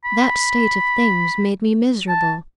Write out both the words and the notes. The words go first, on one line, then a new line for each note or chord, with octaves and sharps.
That state of things made me miserable.
B5
A5